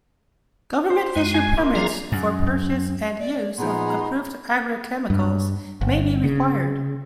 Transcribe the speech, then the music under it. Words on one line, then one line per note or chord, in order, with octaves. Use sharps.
Government-issued permits for purchase and use of approved agrichemicals may be required.
C5
F#2 G#3
G#5
A#3 D4 F4
F3 G#4 A#5
F#2
D5
A#2 F3 B3 D#4 G#4 A#5 C6
G2
G1
C#3